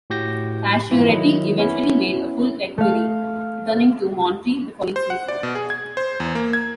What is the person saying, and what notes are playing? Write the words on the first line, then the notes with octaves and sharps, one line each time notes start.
Pacioretty eventually made a full recovery, returning to Montreal the following season.
A2 F#4 G4 G6 A#6
G#2 E3 F4
D#3 F#3 E4 D#5
B3 C#4 E4
A3 F5
C5
F#5
D5
B2
G#4
G#6
C5
E2
A#3
G#6